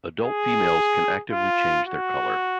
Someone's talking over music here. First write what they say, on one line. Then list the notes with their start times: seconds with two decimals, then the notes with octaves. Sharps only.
Adult females can actively change their color.
0.22 G#4
1.32 F4
1.87 F#4